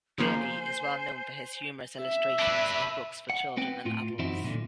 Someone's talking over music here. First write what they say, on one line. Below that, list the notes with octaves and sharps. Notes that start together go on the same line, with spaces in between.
Gurney is well known for his humorous illustrations in books for children and adults.
C#3 F3 A#3 C5 G#5
E5
D4 B4
F#5
B3 C4 B4 G5
A2 F4
F#2 E3 C4 D#4 E4 F#4
B1 A#2 D3